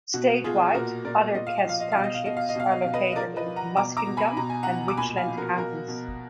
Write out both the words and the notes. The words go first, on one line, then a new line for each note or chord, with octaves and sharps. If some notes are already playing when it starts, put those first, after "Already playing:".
Statewide, other Cass Townships are located in Muskingum and Richland counties.
B2 F#4
B2 F4 G#4
A#2 F#4 A#4
A#2 A#4 D5
A#2 D#5
F5
D#5
F3 F5
D#5
B2 F5
D#5
F5
B2 D#5
F5
D#5
B2 F5
D#5
B2 F5
B4 D#5
D#5
F3 A#4 D5
B4 D#5
F3
F#5 A#5
B2 A#5 D6
A#5 D6
B2
G#5 B5
B2 A#5
G#5
B2 F#5 A#5
D6
A#2 G#5 B5
F5 G#5
F3
F#4 A#4
B2 F#4 A#4
B2